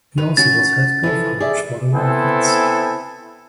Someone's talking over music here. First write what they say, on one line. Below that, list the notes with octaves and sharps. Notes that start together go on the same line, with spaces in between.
He also was head golf coach for the Wildcats.
D#3 B4 F7
C#4 F#4 A6
E3 F3 E4 A4
G#4 D5 E5
B3 C4 E4 A4 C5 G#5